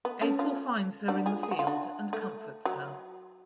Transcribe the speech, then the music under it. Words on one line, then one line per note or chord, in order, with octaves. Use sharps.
April finds her in the field and comforts her.
B3
A3 C#4
C#4 F4
D4 F#4
F4 G#4
G#4
F#4
F4
D4 F#4
A3
F#3